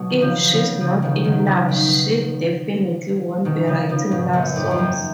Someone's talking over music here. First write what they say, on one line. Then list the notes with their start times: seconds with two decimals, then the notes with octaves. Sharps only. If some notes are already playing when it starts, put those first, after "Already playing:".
If she's not in love she definitely won't be writing love songs.
Already playing: B2 F#3
0.10 D#3
0.21 C#3 F3
0.51 C#3 F3
0.80 C#3 F3
1.02 B2 D#3
1.24 D#3 F#3
1.46 C#3 F3
1.69 B2 D#3
3.45 B2 D#3
3.67 C#3 F3
3.89 C#3 F3
4.11 G#2 B2
4.33 F#2 A#2
4.56 F2 G#2
4.71 F2
4.78 F#2